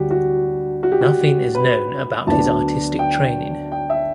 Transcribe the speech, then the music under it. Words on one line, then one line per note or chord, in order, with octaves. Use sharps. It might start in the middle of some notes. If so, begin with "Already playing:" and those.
Nothing is known about his artistic training.
Already playing: D2 D3 G3 F#4 G4
F#4
F#4
G4
F#4
B4
D2 D3 F#3 B3 D4 A5
G5
G5
E5